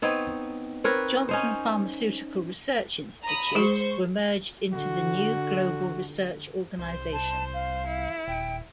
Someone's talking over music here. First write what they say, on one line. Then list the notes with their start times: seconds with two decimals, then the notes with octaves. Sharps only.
Johnson Pharmaceutical Research Institute were merged into the new global research organization.
0.02 B3 C4 D#4 C#5
0.84 C4 A#4 B4 C#5
1.29 C#4 D#4 C5
3.25 A#5 B5 D#6
3.55 G#3 G#4 C5 C#6
4.73 D3 F#4
6.78 C2 C5
7.13 A5
7.54 F5
7.87 E4
8.28 D#1 G5